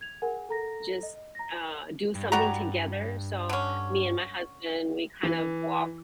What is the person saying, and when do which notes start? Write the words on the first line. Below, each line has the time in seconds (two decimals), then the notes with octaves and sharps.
just, uh, do something together, so me and my husband, we kind of walk
0.01 G#6 F7
0.22 G#4 A#4 F#5 G#5
0.49 A4 A#5 A#6
1.03 D#5
1.35 A#5 A#6
2.15 G2
2.32 G3 F#4 A#5
3.49 D3 C#4
5.23 E3